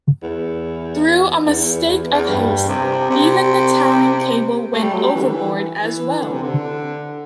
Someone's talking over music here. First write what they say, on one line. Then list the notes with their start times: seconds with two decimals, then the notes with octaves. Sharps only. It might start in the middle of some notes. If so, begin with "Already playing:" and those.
Through a mistake of haste, even the towing cable went overboard as well.
0.22 E2
1.46 E2
1.86 E2
2.12 E2
2.28 G2
2.69 C3
3.10 C3
4.73 A3
4.83 G3
4.93 F#3
5.03 G3
5.15 E3
5.22 D3
5.30 E3
5.83 E3
6.10 E3
6.21 D3
6.32 C3
6.43 D3